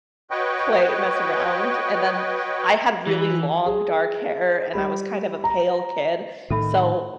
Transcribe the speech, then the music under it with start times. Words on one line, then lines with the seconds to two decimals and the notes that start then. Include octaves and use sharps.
play mess around. And then I had really long dark hair and I was kind of a pale kid. So
0.31 F#4 B4 C#5 D#5 G5
3.07 E3
3.66 G#4
4.73 G3 B5
5.44 A#5
6.50 A2 D#3 A4 E5 B5